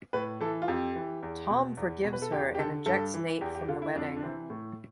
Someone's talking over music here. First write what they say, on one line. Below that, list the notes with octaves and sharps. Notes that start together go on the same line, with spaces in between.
Tom forgives her and ejects Nate from the wedding.
A2 B4
E3 A4
F4
F2 G4
E3
E2
B2
E2
B2
B4
A4
E2 G4
G4
D3 A4
G2 A4
E3
E2 G4
G4
D3 F4
E4
F2 D4
D4
C3 E3 C4
A2